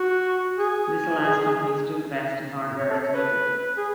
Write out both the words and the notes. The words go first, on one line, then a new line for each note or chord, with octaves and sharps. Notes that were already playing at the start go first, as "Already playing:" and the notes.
This allows companies to invest in hardware as needed.
Already playing: F#4
G#4
C#5
A4
C#5
B4
G#4